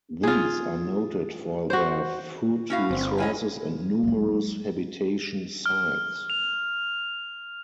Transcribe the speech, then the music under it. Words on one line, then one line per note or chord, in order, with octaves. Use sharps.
These are noted for their food resources and numerous habitation sites.
F4 G#4
F#4 C5
C#4 E4 F#4 F5
G1 C4
F#2 C#4 E4 D#5
F#3 G#3
F6
F7